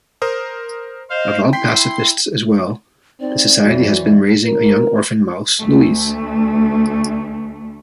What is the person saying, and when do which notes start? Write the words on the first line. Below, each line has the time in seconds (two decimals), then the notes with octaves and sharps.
Avowed pacifists as well, the society has been raising a young orphan mouse, Louise.
0.22 A#4 C5 D#6
1.10 C5 D#5 F5
1.53 E4 G5 C6 B6
3.20 C4 D#4 D5
3.64 F2 E3 F#3 F#4
4.46 A#4
5.59 D2 A3